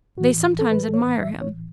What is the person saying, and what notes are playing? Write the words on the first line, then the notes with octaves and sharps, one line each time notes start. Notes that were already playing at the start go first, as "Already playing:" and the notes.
They sometimes admire him.
A2 E3 F#4
A4
B4
A4
C#5
B4
E5
C#5